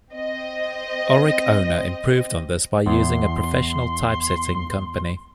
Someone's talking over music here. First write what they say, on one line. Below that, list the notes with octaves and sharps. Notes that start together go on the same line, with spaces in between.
"Oric Owner" improved on this by using a professional typsetting company.
C4 D#5
E2 C6